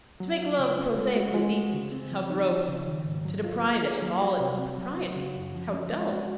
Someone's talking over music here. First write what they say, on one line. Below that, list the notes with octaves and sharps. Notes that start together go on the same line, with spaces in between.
To make Love prosaically decent, how gross! to deprive it of all impropriety, how dull!
F#3
F4
C#3
C#4
G#3
F#4
G#3
F#4
C#3
C4
F3
D#4
F3
C#3
D#3
G#2
F#3
F4
A#3
G#4
F#3
F#4
C3
C4
F#3
F#4
C#3
F#2
F3
C#4
G#3
F#4